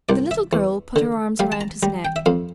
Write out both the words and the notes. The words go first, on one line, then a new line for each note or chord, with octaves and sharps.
The little girl put her arms around his neck.
C2 D5
E5
E2
D3
G3 F5
A5
A#5
G3 A#5
G5
E5
F2 F5